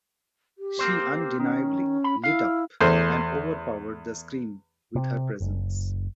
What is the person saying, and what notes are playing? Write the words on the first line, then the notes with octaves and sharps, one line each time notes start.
She undeniably lit up and overpowered the screen with her presence.
G4
A#3 C4 C5
D#3 C#4
B5
E4 F5
E2 A3 C5
C3
F#1